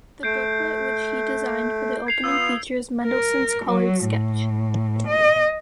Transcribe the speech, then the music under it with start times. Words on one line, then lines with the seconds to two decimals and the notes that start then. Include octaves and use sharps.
The booklet which he designed for the opening features Mendelsohn's coloured sketch.
0.23 A3 G6 C7 D7
2.07 G#6 C7 F7
2.24 B3 F4 D#6 E6 G#6
3.04 A#4
3.64 F#3
4.04 A2
5.07 D#5